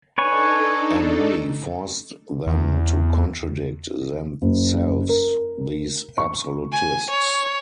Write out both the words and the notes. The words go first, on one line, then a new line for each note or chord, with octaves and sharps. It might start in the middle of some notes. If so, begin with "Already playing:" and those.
And we forced them to contradict themselves, these absolutists!
D4 D#4 A4 B4 C#5 G#5
E2
F#1
A#4
C#6
G#5
C#5